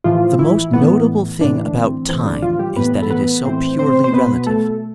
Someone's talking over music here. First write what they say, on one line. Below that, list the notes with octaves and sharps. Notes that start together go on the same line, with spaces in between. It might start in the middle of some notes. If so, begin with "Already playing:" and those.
The most notable thing about Time is that it is so purely relative.
A2 E3 F3 F4
E3 E4
A2 E3 B3
A2 D3 E3 D4
C4
A2 E3 C4
D3 D4
F3 F4
G3 G4
A2 E3 B3 B4
A4
B3 B4
A2 E3 C4 C5
C4 C5
C5
B2 B3 B4
A3 A4